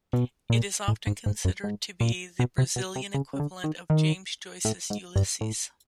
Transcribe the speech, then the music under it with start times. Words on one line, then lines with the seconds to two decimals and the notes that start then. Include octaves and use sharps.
It is often considered to be the Brazilian equivalent of James Joyce's "Ulysses".
0.13 B2
0.50 A#2
0.88 A2
1.07 G#2
1.26 G#2
1.45 F#2
1.64 G#2
2.01 A#2
2.39 B2
2.58 C3
2.76 B2
2.96 C3
3.14 C#3
3.33 C#3
3.40 D3
3.64 D#3
3.90 D#3
4.65 A2
4.90 G#2
5.16 G2
5.41 A2